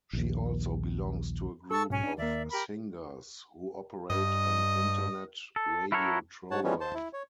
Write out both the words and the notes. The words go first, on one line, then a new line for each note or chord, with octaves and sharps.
She also belongs to a group of singers who operate an Internet radiotrova.
A#1 D#2
A4 A5 C#6 E6
B1 G#2 C#4 G#5
D4
D#2 A#3 D5 E5
G4 A#4 B5
G2 D#5
A4
E4 F#4 A4 A#4 C#5
G#2 C#5 F#5 A5
E3 F3 G3 G#3 B3 C#4
C5 A5
E4
C#5